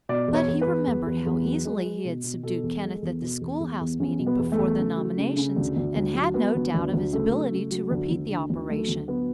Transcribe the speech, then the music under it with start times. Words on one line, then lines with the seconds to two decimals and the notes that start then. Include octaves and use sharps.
But he remembered how easily he had subdued Kenneth at the school-house meeting before the nominations, and had no doubt of his ability to repeat the operation.
0.09 B2 D5
0.28 E2
0.34 C#5
0.48 E2
0.61 B4
0.67 E2
0.87 E2
1.07 E2
1.26 E2
1.45 F#3
1.65 G#3
1.84 G#3
2.05 B2
2.24 B2
2.43 B2 A4
2.63 E2
2.83 G#3
3.02 E2
3.22 B2
3.41 E2
3.60 E2
3.81 E2
4.00 E2 C#4
4.19 B2
4.26 B3
4.39 E2
4.52 A3
4.59 E2
4.79 C#3
4.97 F#3
5.18 C#3
5.37 C#3
5.56 D2
5.76 D2
5.95 D2
6.14 F#3
6.34 F#3 B3
6.54 D2
6.74 D2
6.93 D2
7.13 C#3 A3
7.32 F#3
7.52 C#3
7.71 F#3
7.90 D2
8.10 D2
8.30 D3
8.50 D2
8.69 F#3 A3
8.88 D2
9.08 F#3 B3